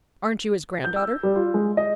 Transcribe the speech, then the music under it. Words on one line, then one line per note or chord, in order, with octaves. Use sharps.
"Aren't you his granddaughter?"
G6
E6
G3
F4
G#3
D#5